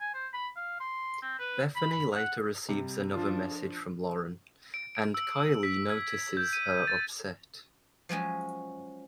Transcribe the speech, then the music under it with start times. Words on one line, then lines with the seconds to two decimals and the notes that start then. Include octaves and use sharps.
Bethany later receives another message from Lauren and Kylie notices her upset.
0.01 G#5
0.14 C5
0.34 B5
0.56 F5
0.80 C6
1.22 C4
1.39 B4
1.76 B5
1.92 B5
2.15 F#5
2.69 C3 G3
3.14 F3 D4 F4
4.74 D7
4.95 D7
5.14 E6
5.63 B6
5.90 G#6
6.37 G6
6.53 D#7
6.87 A6
8.09 F3 F#3 G#3 C#4